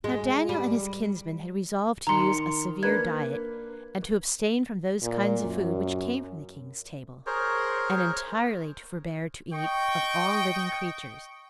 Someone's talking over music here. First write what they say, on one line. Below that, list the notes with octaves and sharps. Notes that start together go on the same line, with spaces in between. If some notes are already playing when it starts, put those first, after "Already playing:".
Now Daniel and his kinsmen had resolved to use a severe diet, and to abstain from those kinds of food which came from the king's table, and entirely to forbear to eat of all living creatures.
G#3
G3
D#3 A#5 C6 C#7
A#3 D4 B4 G#6
A#2
F#2
G#4 A#4 C5 C#5
D#5 G5 C#6